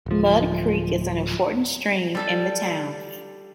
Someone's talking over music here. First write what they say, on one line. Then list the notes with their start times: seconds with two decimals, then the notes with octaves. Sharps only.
Mud Creek is an important stream in the town.
0.06 D1 F3
2.15 G3 A4 A5